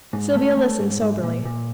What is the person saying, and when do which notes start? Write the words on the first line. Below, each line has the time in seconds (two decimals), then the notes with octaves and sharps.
Sylvia listened soberly.
0.13 G#2
0.36 A3
0.57 A3
0.79 G#2
1.01 G#2
1.23 A#2
1.45 A#2